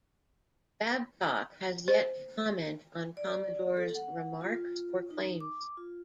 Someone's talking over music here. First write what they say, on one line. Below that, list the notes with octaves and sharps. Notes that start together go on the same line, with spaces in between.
Babcock has yet to comment on Commodore's remarks or claims.
C5
D5
A4
F#5
F4
D#4
D6
F4